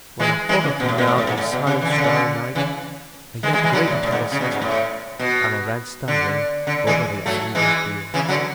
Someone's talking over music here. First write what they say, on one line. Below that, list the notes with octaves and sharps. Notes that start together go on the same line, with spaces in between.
When I thought of him now in the silent starry night, a yet greater terror seized me, and I ran stumbling over the uneven field.
E3 G#3
E3 G#3
C#3
B2
A2
B2
A2
A2
G#2
A2
B2
C#3
E3
D3
C#3
D3
C#3 E3
E3 G#3
E3 G#3
E3 G#3
D3 F#3
A2
A2
G#2
C#3
B2
G#2
A2
B2
D3
D3
E3 G#3
F#3 A3
E3 G#3
C#3 E3
D3 F#3